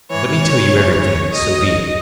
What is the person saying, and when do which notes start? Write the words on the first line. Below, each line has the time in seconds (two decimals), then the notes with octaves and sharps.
Let me tell you everything, so be it.
0.11 G#2 E3 C#5
0.71 F#2 C#3 E3
1.02 C#5
1.33 D#2 D#3 F#3 D#5